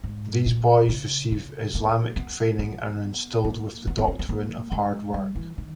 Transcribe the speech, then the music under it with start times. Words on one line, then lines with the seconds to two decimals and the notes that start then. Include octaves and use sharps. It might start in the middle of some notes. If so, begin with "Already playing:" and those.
These boys receive Islamic training and are instilled with the doctrine of hard work.
0.04 G#2
0.46 A#2
0.89 C#3
1.32 C#3
1.75 A#3
2.16 B3
2.59 B3
3.44 A#3
3.87 B3
3.98 B3
4.08 C#4
4.19 B3
4.29 A#3
4.72 G#3
5.14 G3
5.35 E3
5.58 D#3